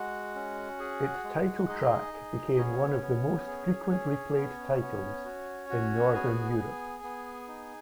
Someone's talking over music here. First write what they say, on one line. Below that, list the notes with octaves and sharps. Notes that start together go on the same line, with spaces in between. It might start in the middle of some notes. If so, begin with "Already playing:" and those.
Its title track became one of the most frequently played titles in Northern Europe.
Already playing: G#3 F#4 F#5
C#4
G#4
G#3
D#4 G#4 D#5
G#4
B3 C#4 C#5
B3
G#4
G#4
B3
B3
F#4
F#4
B3 G#4 G#5
B3
B3
D#4